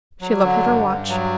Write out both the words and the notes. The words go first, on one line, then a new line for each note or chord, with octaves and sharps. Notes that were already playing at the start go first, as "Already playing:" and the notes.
She looked at her watch.
F#3
D3
G2
G2
F#3